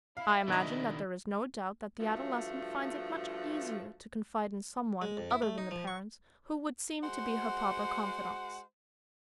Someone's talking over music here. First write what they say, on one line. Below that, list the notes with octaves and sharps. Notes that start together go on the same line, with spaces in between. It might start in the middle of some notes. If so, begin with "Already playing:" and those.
I imagine that there is no doubt that the adolescent finds it much easier to confide in some one other than the parents who would seem to be her proper confidants.
E4 F5
B2 D#3 D4 D#5
G2 F3 A3 F#4
G#3
F2
E4
A3
D#4
F3
C#6
G#3 F#4 C5 F#5